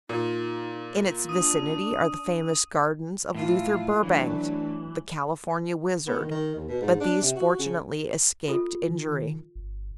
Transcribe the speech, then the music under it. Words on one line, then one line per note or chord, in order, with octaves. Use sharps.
In its vicinity are the famous gardens of Luther Burbank, the "California wizard," but these fortunately escaped injury.
A#2 D#4
D4 D#6 D#7
A2 E3 F4
E3 F#3 A3 D4
B3
D#3
D#3
D#2
B2
G#2
D4
C3
F#4
C#3
F4 A4
D#3
G1